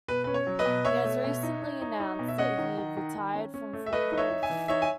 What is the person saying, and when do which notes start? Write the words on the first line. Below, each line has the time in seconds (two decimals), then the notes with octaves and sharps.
He has recently announced that he retired from football.
0.08 B2 B4
0.24 C#4 B4
0.34 C#5
0.47 F#3
0.59 B4 D#5
0.65 B2
0.85 B2 C#5 E5
1.04 A3
1.24 B2
1.43 D#4
1.62 D#4
1.81 D#4
2.00 D#4
2.19 B2
2.28 E5
2.38 C#4 D#5 F#5
2.58 D#3
2.78 D#3
2.97 D#3
3.15 D#3
3.35 C#4
3.54 C#4
3.73 A3
3.86 E5
3.93 A3 B4 D#5
4.12 D#4
4.18 C#5 E5
4.30 D#4
4.43 E5 G#5
4.50 E3
4.68 D#4 C#5 E5
4.82 G#5